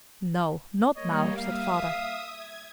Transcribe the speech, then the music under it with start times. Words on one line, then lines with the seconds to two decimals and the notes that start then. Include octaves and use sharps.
"No, not now," said Father.
0.96 G3 A#3 C#5 D#5
1.36 E5 F5 D#6
2.30 G#6